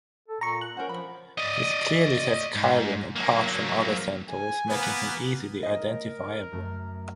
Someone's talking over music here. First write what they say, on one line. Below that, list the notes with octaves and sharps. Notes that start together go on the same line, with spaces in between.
This clearly sets Chiron apart from the other centaurs, making him easily identifiable.
A4
A#2 A#5 C#6
F#6
C#4 A#4 C5 F#5
F3 B5
D5 D#5
G#2
F#3 A#3
G#5
A#3 B3 B4
A#4 D#5
F#2 A3